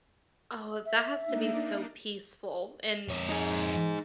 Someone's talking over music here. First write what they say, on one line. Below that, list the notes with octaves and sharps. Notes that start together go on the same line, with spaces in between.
Oh, that has to be so peaceful and
E5
A#3 D4 D#4
F2 C#5
D#4 G#4